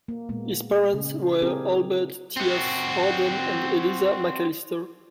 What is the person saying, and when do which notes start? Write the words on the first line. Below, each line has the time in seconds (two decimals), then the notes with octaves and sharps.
His parents were Albert Tyas Harden and Eliza Macalister.
0.08 A#3
0.29 A#2 G#3 A#3 B3
0.94 C#3
1.42 C4 D4 E4 G4 G#4 A#4
2.36 C4 F#4